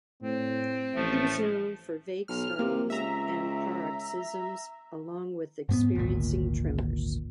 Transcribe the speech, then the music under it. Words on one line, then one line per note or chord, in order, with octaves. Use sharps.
He was known for "vague 'startings' and 'paroxysms'", along with experiencing tremors.
A2 C4
A1 F3 A3
B1 F6
C3 A#3
C#2 E5 A#5
G#2 A#3 B3
G#1 D2 A#2